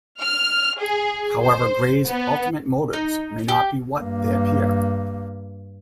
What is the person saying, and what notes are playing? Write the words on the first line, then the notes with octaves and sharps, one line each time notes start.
However, Grey's ultimate motives may not be what they appear.
F6
G#4
C5
B3
D#4
G4
G2 A#3